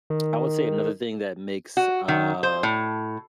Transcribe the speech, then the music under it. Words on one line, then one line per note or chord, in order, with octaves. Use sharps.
I would say another thing that makes, uh,
D#3
F#4
D#3
C5
A2